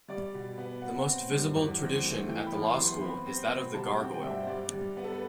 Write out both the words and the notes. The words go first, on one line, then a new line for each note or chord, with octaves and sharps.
The most visible tradition at the law school is that of the Gargoyle.
G3 D5
B2
B3
F#3 F#5
C4
G2
E2
C4
A3
E3 G5
B5
F#2
C6
B3
C6
C4 B5
C4
B2
G3 A5
F#5
G5
C4
G5
G2 E5
F#5
C5
G3 D5
G3
B3
A4
B4